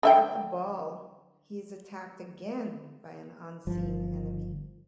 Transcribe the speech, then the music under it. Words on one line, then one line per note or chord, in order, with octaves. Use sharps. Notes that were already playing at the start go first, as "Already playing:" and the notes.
At the ball, he is attacked again by an unseen enemy.
D3 E5 G5
G1 F3